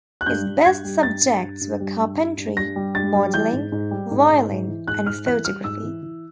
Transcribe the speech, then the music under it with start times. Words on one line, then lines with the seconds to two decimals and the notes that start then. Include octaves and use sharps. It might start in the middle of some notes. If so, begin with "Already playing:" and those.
His best subjects were carpentry, modelling, violin and photography.
0.21 F#6
0.26 G2 G6
0.46 G2
0.65 G2 G#6
0.84 G3
1.03 G2 A6
1.22 G2
1.42 G2
1.61 G2
1.80 G3
2.00 G2
2.19 G2
2.37 G2
2.57 G2 A#6
2.76 G3
2.95 G2 A6
3.14 G3
3.34 E3 G6
3.53 G#2
3.72 G#2
3.91 G3
4.11 G#2
4.29 G#2
4.49 G#2
4.68 E3
4.88 G#2 F#6
5.06 G#2 F6
5.26 E3 F#6
5.45 G3 F6
5.64 G#2 E6
5.83 E3
6.02 E3